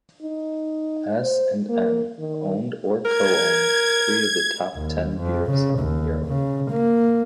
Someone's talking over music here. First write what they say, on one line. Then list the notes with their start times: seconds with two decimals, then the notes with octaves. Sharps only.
S and N owned or co-owned three of the top ten beers in Europe.
0.22 D#4
1.22 C5
1.69 A#3
2.19 D#3
3.05 A#4 G#6
4.75 D#2
5.18 F2
5.50 C#3
5.79 D#2
6.27 C#3
6.71 A#3